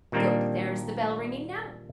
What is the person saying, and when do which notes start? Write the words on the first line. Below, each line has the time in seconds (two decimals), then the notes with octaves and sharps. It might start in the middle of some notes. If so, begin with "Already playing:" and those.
Good! there is the bell ringing now.
0.12 A#2 D#3 G3 A#3 C4 D4